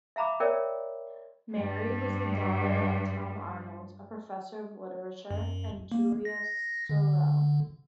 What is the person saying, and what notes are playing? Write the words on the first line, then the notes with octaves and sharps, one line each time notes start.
Mary was the daughter of Tom Arnold, a professor of literature, and Julia Sorrell.
E5 F5 A#5 B5 D6
A#4 C#5 D5 E5 G5
G2 G3
F#2
A#3
A#6
D3